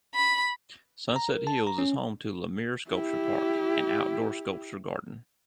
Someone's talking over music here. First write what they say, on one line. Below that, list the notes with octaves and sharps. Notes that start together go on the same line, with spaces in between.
Sunset Hills is home to Laumeier Sculpture Park, an outdoor sculpture garden.
B5
A#5
A#4
A5
A#5
C#4
E4 G4